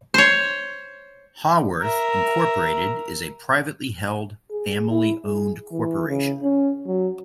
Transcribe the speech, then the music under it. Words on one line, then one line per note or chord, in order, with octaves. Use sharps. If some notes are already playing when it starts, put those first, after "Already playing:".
Haworth, Incorporated is a privately held, family-owned corporation.
C5 C#5
A#4 E5
G#4
E4
G#4
E3
C#3
C#4
F#3